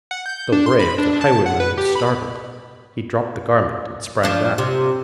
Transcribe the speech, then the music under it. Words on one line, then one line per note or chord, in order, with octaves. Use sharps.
Though brave, the highwayman was startled: he dropped the garment, and sprang back.
F#5
G6
D4
C6
B5
D4
A5
F#5
B4
G4
B5
F3 D4
C3